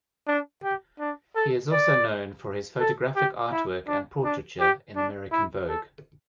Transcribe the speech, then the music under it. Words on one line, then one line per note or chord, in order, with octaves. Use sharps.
He is also known for his photographic artworks and portraiture in American Vogue.
D4
G4
D4
A4
D5
A4
G4
E4
D4
D4
G4
D4
E4
A4